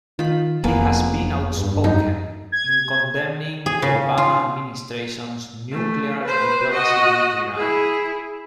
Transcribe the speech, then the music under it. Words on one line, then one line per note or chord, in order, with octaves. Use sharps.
He has been outspoken in condemning the Obama administration's nuclear diplomacy with Iran.
D#3 F4 B5
F1 F2 A#3 B3 G#4
G2
F#2 D#4
G#6
G#4
C#3
F4
A3
B4 C5
F#4 D#5
E4 G#4